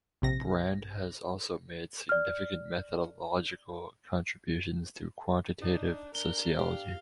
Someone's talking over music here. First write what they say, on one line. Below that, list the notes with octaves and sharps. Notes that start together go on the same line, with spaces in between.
Brand has also made significant methodological contributions to quantitative sociology.
A#1 C3 A#6
D5 F6
D4 D#4
D4 A#4 G7
G4 F5